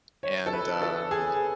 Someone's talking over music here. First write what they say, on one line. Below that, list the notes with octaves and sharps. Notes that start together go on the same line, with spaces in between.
and, um
C#5
A4
B4
A4
G#4